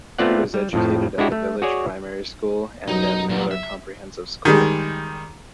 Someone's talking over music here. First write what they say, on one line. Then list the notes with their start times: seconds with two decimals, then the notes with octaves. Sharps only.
He was educated at the village primary school and at Maelor Comprehensive School.
0.18 A3 B3 C4 F4 D5 F#5
0.54 G3
0.73 F2 A2 F3
1.18 G#3 D4 E4 F#4 G4
1.32 A3
1.62 F#4 G#4 C#5 D5 G#5
2.88 B1 F#2 D#4
3.29 A#2 F#3
3.51 E5
4.45 D#3 G3 G#3